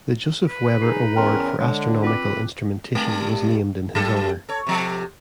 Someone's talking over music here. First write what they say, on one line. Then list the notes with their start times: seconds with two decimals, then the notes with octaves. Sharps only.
The Joseph Weber Award for Astronomical Instrumentation was named in his honor.
0.48 B4
0.82 D#4 G#4 C7
1.16 E2 C#4 A#4 G5 A#5 C6
1.59 D3 G#3 C#5
2.03 C4 F4 B4 D6
2.95 G2 G#3
3.95 F#3 G4 A4
4.49 A4 C#5
4.67 C3 F3 A4